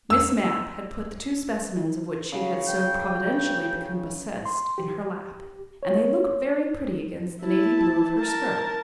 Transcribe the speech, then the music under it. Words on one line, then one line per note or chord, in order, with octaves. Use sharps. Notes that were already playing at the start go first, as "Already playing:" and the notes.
Miss Mapp had put the two specimens of which she had so providentially become possessed in her lap, and they looked very pretty against the navy-blue of her skirt.
E6
C#3 F#4
G5
C6
G4
C#5
E4 A5
A#4 A5